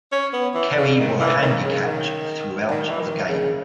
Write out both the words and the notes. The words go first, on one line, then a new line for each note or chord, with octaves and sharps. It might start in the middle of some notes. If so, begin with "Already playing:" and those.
Kerry were handicapped throughout the game.
C#4
B3
E3
C#3
D#3
E3
D#3
C#3
D#3
D#3
E3
D#3
C#3